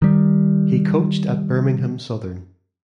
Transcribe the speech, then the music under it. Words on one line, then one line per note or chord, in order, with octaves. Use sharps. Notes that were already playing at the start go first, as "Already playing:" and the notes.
He coached at Birmingham–Southern.
D#3 G3